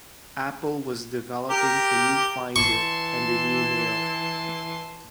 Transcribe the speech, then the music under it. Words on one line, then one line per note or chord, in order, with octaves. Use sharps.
Apple was developing a new Finder and a new Mail.
G4 A#4
E3 A5 C6 C#6